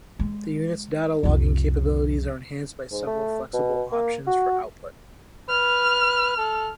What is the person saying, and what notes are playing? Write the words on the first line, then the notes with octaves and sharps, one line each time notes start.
The unit's data logging capabilities are enhanced by several flexible options for output.
G#3
C2 F2
G#2
A3
B2
A#3
F#4
B4 F6
A4